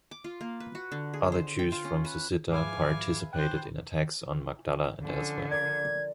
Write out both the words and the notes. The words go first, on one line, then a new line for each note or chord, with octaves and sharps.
Other Jews from Sussita participated in attacks on Magdala and elsewhere.
D6
F4
A#3
B4
F#4
D3
G#4
C5
G5
F4
C#4
B4
G#2 F3 G#4 B4 E5 F5 G#5 D6
D4 C5 G5 F#6
D3 F3 C#4 G#5
A#4 D5 G#6